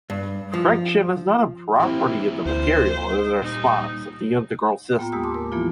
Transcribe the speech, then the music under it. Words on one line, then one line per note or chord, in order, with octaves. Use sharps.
Friction is not a property of the material, it is a response of the integral system.
G2
F3
E3 A#3 C4 E4 G4
D2 C5
A#2 G3 D#4
A2 A#3 B3 F4 G5 A#5
D#2 G#3 A#3 G4 D#6 E6
A5 C6 D6
A#4
E3 F3 A#3 B3 E4 F4